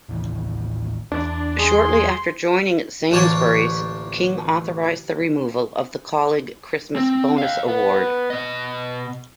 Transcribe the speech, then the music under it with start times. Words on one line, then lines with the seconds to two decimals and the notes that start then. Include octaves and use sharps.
Shortly after joining Sainsbury's, King authorised the removal of the Colleague Christmas Bonus award.
0.09 A1 D#2 E3
1.12 E2 D4
1.59 G#3 G#4 C6
3.11 A1 D2 A#3 C#5 A5
6.96 C4
7.38 D#5 F5
7.68 B3
8.30 B2 D#5